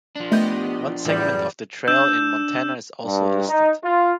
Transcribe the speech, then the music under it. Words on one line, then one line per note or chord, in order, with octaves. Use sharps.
One segment of the trail in Montana is also listed.
F3 D4
A3 B3 G4 D#5 G6
E2 A2 G3
F#2
D4 E6 G6 E7
G2
D#4
F4